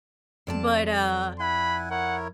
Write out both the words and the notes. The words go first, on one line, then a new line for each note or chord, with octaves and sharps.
But, uh
F2 D5 A5
E4 F#5 G#5 B5
E4 A#4 C#5 F#5